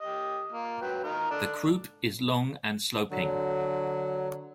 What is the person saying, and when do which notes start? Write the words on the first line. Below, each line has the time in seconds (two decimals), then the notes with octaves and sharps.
The croup is long and sloping.
0.02 G4 D#5
0.52 A#3 F4
0.82 F#3 B4 G5
1.04 D#4 F4 A#4
1.31 D4 A4
3.11 D3 F#3